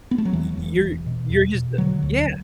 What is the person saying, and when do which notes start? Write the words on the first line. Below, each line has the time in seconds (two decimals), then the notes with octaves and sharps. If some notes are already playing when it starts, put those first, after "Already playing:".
y y you're you're just a yeah.
0.11 B3
0.18 A3
0.25 F#3
0.32 E2 E3
0.57 E1
0.82 E1
1.06 B2
1.29 E2
1.54 B2
1.78 D3 F#3
2.02 D2